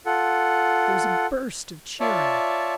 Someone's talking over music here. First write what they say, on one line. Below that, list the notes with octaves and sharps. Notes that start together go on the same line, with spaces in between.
There was a burst of cheering.
F4 A4 F#5
F4 C#5 D5 E5 A5